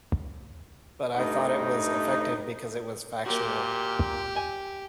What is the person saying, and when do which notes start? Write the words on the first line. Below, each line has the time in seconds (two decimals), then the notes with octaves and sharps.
But I thought it was effective because it was factual.
1.17 G2 A3 D#4
3.26 A#2 A#3 F#4 G4
4.36 G#5